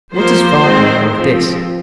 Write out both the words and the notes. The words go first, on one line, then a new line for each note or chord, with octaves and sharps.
What does Vardon know of this?
F3 A#3 C5
D#3 G#3 C4
F3 C4